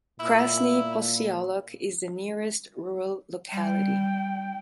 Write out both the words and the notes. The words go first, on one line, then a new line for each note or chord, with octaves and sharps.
Krasny Posyolok is the nearest rural locality.
A#2 E4
G3 G5